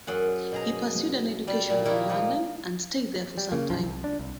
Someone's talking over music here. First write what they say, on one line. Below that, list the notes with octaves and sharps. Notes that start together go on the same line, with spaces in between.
He pursued an education in London and stayed there for some time.
F#2 G#4 F#5 G#5
B2 G#4 A#5
G3
A#2
D#3 A#3 D#4 E4
F3
G3
C#3 A#3
B1 F#2 D#3 F3
C2
D4
C2